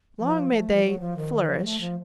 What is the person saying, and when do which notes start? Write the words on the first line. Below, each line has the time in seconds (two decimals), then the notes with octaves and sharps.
Long may they, flourish.
0.19 F3
0.51 A3
0.73 F3
0.84 F#3
1.00 F3
1.16 D#3
1.48 F3
1.59 F#3
1.65 A3
1.81 F3